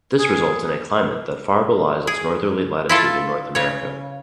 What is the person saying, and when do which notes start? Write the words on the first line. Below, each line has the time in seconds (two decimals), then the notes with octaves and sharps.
This results in a climate that far belies its northerly latitude in North America.
0.19 G#4
2.07 G#4
2.89 E4 F4 A4
3.55 C#3 C#5